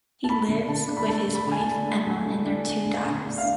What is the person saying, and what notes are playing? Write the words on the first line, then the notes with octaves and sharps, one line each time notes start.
He lives with his wife Emma and their two daughters.
A5
A3 B5
D3
D3 A5
D4
B5
A3 A5
D3
B5
D3 G#5
A5
D4
A3
D3
D3
D4
A3
D3
D3
D4
F5